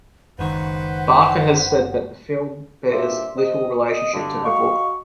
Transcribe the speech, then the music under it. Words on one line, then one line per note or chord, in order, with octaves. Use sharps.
Barker has said that the film bears little relationship to her book.
F#1 C#2 D#3 B4 C5 F#5
G2 A#2 C5 D5 E5
C3 C4 D#5
D#5
G2 D3
F#4 D#5 F5 C#6